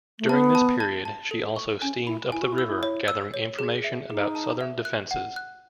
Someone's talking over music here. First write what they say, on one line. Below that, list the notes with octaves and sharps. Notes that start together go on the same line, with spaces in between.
During this period, she also steamed up the river gathering information about Southern defenses.
A3
B3 A5
A5
A5
A5
A4
C#6
C#4 G#5
E4 B5
E4 G#5
F#4
E4
E6
C#5
E6
C#5
G#4
E5
D#4 G#4
A5
E5
F#6
F#5
F#6